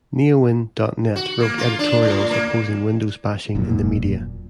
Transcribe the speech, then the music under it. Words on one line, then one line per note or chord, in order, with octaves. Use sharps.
Neowin dot net wrote editorials opposing Windows-bashing in the media.
F#4
A#3
F4
D4
A2
A#3
E1 F#2 A#2